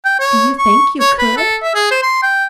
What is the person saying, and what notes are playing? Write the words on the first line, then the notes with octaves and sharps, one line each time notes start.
"Do you think you could?"
G5
C#5
C#6
C#5
B4
A4
E5
G#4
C5
C6
G5